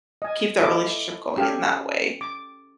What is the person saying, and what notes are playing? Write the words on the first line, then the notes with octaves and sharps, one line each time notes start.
keep the relationship going in that way,
D#5 G#5
E4 A4 D#5 D6
C#4 G4 A4 F5 G#5
D6